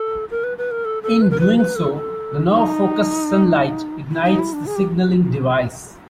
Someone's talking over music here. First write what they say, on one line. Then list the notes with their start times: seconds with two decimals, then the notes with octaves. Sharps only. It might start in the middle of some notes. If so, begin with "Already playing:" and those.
In doing so, the now focused sunlight ignites the signalling device.
Already playing: A4
0.31 A#4
0.44 B4
0.58 B4
0.71 A#4
0.85 A4
1.03 A4
1.22 B4
1.30 A#4
1.40 B4
1.58 B4
1.76 A4
1.94 A4
2.48 D#4
4.11 E4
4.25 D#4
4.39 E4
4.53 D4
4.66 G#4
4.76 G4